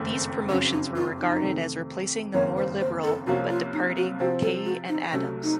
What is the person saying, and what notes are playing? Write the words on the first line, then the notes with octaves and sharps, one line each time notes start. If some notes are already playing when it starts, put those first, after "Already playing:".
These promotions were regarded as replacing the more liberal but departing Kaye and Adams.
Already playing: F#1 F2 D#3 A3
F#1 F2 C#3 F#3 C#4
D#4
F4
D#4
F2 C3 D#3 A3
F#1 F2 D#3 A#3 C#4 C#5
C5
C5
A4
C2 C3 F3 A#3 C#4 F#4
F4
D#4
F#4
C3 F3 C4 F#4
A4
F#4
D#4
C2 C3 F#3 A3 C#4
D#4